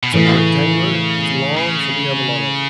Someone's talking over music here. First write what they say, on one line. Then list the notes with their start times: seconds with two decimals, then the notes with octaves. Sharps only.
it's like rectangular, it's long, so we have a lotta
0.03 B2
0.13 A2 C#3 E3 A3
1.58 C#3